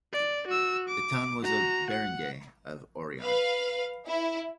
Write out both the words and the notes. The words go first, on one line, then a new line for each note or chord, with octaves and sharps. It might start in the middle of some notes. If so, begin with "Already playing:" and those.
The town was a barangay of Orion.
D5
F#4 E6
D6
F#4 A#5
F#5
B4 F5
E4